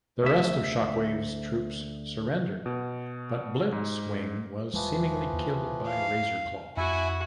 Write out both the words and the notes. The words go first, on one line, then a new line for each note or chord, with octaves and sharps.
The rest of Shockwave's troops surrendered, but Blitzwing was seemingly killed by Razorclaw.
D2 E5
B2
G#2
E1 E3 F3 G3 G#3
D#2
F5
F2 E4 F#4 E5 G#5